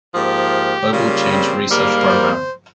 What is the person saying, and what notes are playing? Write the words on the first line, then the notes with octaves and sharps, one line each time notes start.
Global Change Research Program.
G#2 F3 A#3 G4
C#3 G3 A#3 F4
C4
G#2 G3 A#3
C5